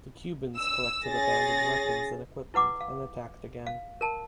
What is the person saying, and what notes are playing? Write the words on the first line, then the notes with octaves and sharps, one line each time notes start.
The Cubans collected abandoned weapons and equipment and attacked again.
E6
C#4 G#4 A6 A#6
E4 B4 F#5 D6
F5
F5
A#4 A5